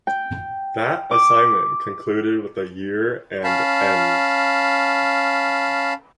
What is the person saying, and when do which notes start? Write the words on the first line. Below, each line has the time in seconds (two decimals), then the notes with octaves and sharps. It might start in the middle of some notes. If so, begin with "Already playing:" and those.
That assignment concluded with the year and Ens.
0.07 G5
1.11 D6
3.44 C#4 F5 A5 B5